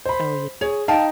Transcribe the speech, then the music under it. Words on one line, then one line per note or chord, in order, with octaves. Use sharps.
Oh ye
C5 B5
G#4 C#5
D#4 F5 G5 A5